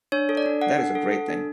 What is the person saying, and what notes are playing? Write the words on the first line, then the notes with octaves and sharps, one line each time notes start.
That is a great thing.
D4 C#5
A4
D5
D4
A4 F#5
D4
A4
A4
D4